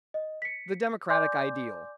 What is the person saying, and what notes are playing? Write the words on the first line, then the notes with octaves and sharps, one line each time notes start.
The Democratic Ideal.
D#5
B6 C#7
D5 G#5 C6 D6 G6